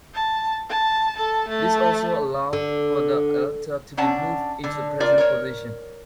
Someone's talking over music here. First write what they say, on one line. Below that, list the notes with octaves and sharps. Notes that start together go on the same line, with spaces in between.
This also allowed for the altar to be moved to its present position.
A5
A5
A4 A5
A3 A5
D3
C3 C#4 D4 F#5 A5
D3
F4 A#4 D5
A#4 C#5